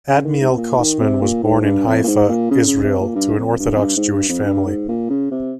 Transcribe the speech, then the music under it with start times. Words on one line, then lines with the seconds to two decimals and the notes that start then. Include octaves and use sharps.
Admiel Kosman was born in Haifa, Israel to an Orthodox Jewish family.
0.09 C#3
0.25 D#3
0.41 G#2
0.49 C3
0.57 A#2
0.79 D#3
1.00 C3
1.22 A#2
1.43 G#2
1.64 G2
1.87 F2
2.04 A#2
2.07 G#2
2.29 A#2
2.51 C#3
2.67 C#3
2.83 C3
3.00 A#2
3.15 G2
3.38 F2
3.59 G2
3.76 F2
3.80 G2
3.97 G#2
4.13 G2
4.29 F2
4.45 G2
4.66 G#2
4.88 A#2
5.10 C#3
5.31 C3